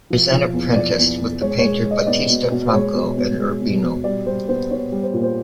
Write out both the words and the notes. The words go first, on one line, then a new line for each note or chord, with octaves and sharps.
He was then apprenticed with the painter Battista Franco in Urbino.
F3
F3
E2
F3 D5
E2
E2
G#3 C#5
G#3 C#5
G#3
D#5
B3 D5
B2
B2
C5
G#3 C#5
B2
B2
G#3
B2
B2
G3 D5
G3 C5
B3 C5
B3 C#5
G3
C5
A#2
C5